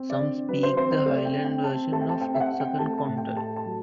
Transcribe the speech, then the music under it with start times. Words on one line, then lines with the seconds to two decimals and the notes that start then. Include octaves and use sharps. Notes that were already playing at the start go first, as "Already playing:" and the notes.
Some speak the highland version of Oaxacan Chontal.
Already playing: C4
0.10 D5
0.19 D3
0.49 F#3 B4
0.63 C5
0.77 C4 C5
0.92 C5
1.06 A3 D5
1.25 G5
1.35 C4
1.44 G5
1.63 C4 A5
1.92 A3 A5
2.01 G5
2.09 A5
2.21 C4 G5
2.34 E5
2.40 F#5
2.51 C4
2.60 G5
2.79 A3 A5
2.98 A5
3.08 A2
3.17 G5
3.37 A3 A5
3.56 A5
3.66 F#3